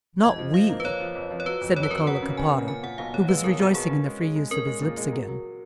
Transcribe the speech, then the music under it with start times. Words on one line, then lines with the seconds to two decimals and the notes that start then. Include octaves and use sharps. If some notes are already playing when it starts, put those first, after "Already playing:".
"Not we," said Niccolo Caparra, who was rejoicing in the free use of his lips again.
0.24 F2 D#5
0.38 F3
0.54 F3 F5
0.69 A#3
0.80 B4
0.85 A#3 C#5
1.00 F3
1.15 F2
1.31 F3
1.40 C#5
1.46 F#3 B4
1.61 F2
1.76 F2 C#5
1.83 B4
1.91 F#3 A#4
1.98 B4
2.07 F#3 F#5
2.22 C#3
2.37 C#3 G#5
2.53 C#3
2.68 A#2 G#5
2.83 A#2 F#5
2.98 B1 F5
3.13 A#2 C#5
3.29 G#3 B4
3.44 B1 A#4
3.60 B1 F#4
3.75 B1 G#4
3.90 C#4
4.05 G#3
4.21 G#3
4.36 G#3
4.51 C#4 A#4
4.67 G#3
4.81 A#2
4.97 G#3
5.12 F#3
5.28 F#3